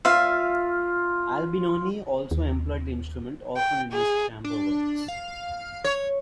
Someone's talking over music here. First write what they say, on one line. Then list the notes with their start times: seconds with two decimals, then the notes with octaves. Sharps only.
Albinoni also employed the instrument often in his chamber works.
0.05 F4 E5 F5
2.31 D#2
3.57 G5
3.93 G#4
4.44 D4
5.08 F5
5.84 C#5